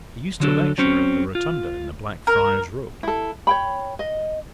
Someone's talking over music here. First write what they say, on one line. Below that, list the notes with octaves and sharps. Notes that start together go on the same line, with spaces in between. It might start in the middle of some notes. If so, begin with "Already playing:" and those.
He used to lecture at the rotunda in the Blackfriar's Road.
D3 F#3 D4 A4
F#3 C4 C#4
F4
A#4
E4 A4
C#5 G5 B5
D#5